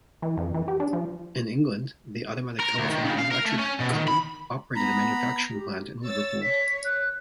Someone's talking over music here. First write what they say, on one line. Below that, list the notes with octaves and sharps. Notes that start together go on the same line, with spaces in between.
In England, The Automatic Telephone and Electric Co operated a manufacturing plant in Liverpool.
E3
F2
E3
G4
D4
F3
A#4
D2
D#3
C#3
F5
A#4
A3
C#4
B2
D#3
B5
B3 A#5 B5
G4
C#5 E6 A6
C#5 B6
F#6